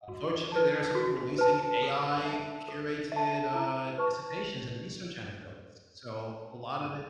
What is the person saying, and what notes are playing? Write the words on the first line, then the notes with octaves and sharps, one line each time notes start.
unfortunately, there are some people releasing AI curated, uh, dissertations and research anecdotes, so, a lot of it
F#4
B4 A5
F#4
B4 A5
A4
E5 A5
A4
E5 A5
E4
B4 A5 C#6